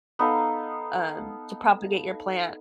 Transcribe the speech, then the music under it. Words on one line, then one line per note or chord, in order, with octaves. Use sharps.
um, to propagate your plant."
B3 D#4 A4 F5